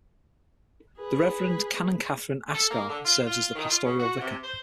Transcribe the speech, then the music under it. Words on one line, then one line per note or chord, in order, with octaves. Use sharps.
The Reverend Canon Catherine Ascah serves as the Pastoral Vicar.
G#4 B4
A4
A#3
D3
F4
F4
D#3
F4
C#3
F#4
C3
C5